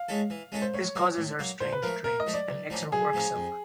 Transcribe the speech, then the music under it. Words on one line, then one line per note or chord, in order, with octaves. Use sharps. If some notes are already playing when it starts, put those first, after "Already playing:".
This causes her strange dreams, and makes her work suffer.
Already playing: F5
G#3 C#4 E4 A4
E3
G#3 C#4 E4 A4
C5
A2 C#5
F#3 A#3
A2
F#3 A#3
A#2 C5
B4
F3 A3 A#4
A#2 A#4
D#5
F3 A3
D5
B1
A2 F3 A#3 C#4
B1 G#4
A2 F3 A#3 C#4
F2